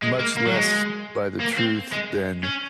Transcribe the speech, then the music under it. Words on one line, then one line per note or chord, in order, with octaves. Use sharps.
much less by the truth than
G#3
A#3
A#3
F#3
G#3
A#3
C4
G#3
C#4